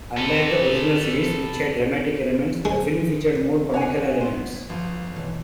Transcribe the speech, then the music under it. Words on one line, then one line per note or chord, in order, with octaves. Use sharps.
Unlike the original series, which had dramatic elements, the film featured more comical elements.
A4 B4
G#3
D4 C#5 F#5 G#5
B3 C5
G1 F3
B1 E3